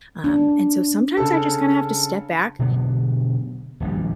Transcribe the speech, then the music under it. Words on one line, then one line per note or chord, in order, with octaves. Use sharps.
um, and so sometimes I just kinda have to step back
D4
C#3 A4
B2 D3 F#3 B3
D#1 A#1 F#2 G3